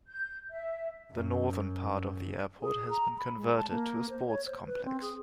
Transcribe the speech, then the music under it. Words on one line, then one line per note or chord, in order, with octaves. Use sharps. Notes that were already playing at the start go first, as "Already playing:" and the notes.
The northern part of the airport has been converted to a sports complex.
G6
E5
F#2
G#4
A#5
B5
G#3
A5
A#3
C5
C#5
C5
B4
C4
G#4